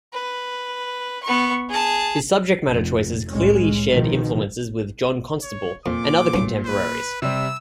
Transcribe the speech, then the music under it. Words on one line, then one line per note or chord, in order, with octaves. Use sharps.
His subject matter choices clearly shared influences with John Constable and other contemporaries.
B4
B3 C#6
G#4 A5
F1 F2
C2 A2 G#3 C#4
B2 D#3 F3
C#5
F2 A#2 D6
B1 G2 C#4
B4
C3 G3 E6